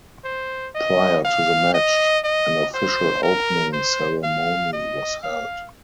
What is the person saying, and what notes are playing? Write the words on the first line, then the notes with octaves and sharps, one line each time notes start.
Prior to the match an official opening ceremony was held.
C5
D#5
F5
D#5
D#5
C5
A#4
C5
F5
D#5
F5